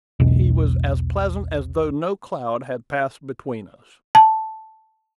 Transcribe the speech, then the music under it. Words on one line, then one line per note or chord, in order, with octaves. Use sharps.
He was as pleasant as though no cloud had passed between us.
E1 B1
A5